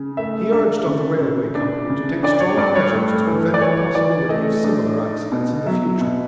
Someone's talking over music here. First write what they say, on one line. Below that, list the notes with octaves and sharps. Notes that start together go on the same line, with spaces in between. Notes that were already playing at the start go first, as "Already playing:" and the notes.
He urged on the railway company to take strong measures to prevent the possibility of similar accidents in the future.
Already playing: C#3
A3 E5
D4 E5
C#3
C#3
D4
C#3
D4 D5
C#5
G2 D5
C#5
A3
E3
D5
E3 C#5
E3 D5
A3 D#5
D4
D#4
B2
F#3 E5
B2